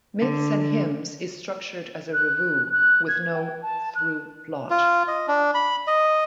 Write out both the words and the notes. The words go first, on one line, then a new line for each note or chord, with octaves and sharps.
"Myths and Hymns" is structured as a revue, with no through plot.
D3
F#6
F#6
G#6
G5
A5
F#6
F4
D#5
D4
B5
D#5